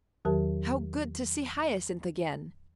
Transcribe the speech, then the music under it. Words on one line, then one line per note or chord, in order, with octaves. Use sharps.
How good to see Hyacinth again!
E2 D#3 F#3 G4 A#4 A5